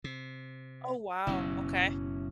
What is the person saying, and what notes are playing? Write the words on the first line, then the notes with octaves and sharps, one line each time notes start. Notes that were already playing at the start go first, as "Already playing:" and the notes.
Oh, wow. Okay.
C3
F#1 B2 F#3 C#4 E4